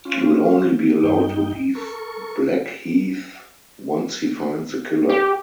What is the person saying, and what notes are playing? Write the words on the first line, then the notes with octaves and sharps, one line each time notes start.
He will only be allowed to leave Blackheath once he finds the killer.
C#4 F4
G2 D#4 G5
A4 A#4 C#6
G4